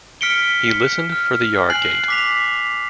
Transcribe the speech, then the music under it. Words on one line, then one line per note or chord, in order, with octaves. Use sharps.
He listened for the yard-gate.
F6 B6 C#7 D7 G7
F6
G#5 F#6 C7 F#7
D6 B6 F7